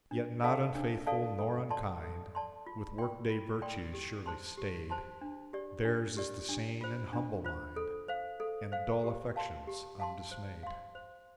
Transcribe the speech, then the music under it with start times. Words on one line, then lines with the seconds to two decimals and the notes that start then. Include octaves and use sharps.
Yet not unfaithful nor unkind, with work-day virtues surely staid, Theirs is the sane and humble mind, And dull affections undismayed.
0.11 D4
0.43 A4 D5 F5 A5
0.75 D4
1.06 A4 D5 F5 A5
1.39 A4
1.70 D5 A5 C6
2.03 A4
2.35 D5 A5 C6
2.67 F4
2.98 D5 G5 C6
3.30 F4
3.62 D5 G5 C6
3.94 G4
4.26 C5 A5 C6
4.58 G4
4.90 C5 A5 C6
5.21 D4
5.53 G4 D5
5.85 D4
6.17 G4 D5
6.49 D4
6.81 F4 C5
7.13 D4
7.45 F4 C5
7.76 A4
8.08 C5 F5
8.40 A4
8.72 C5 F5
9.04 G4
9.36 F5 A5 C6
9.67 G4
10.00 F5 A5 C6
10.31 C5
10.63 F5 C6
10.95 C5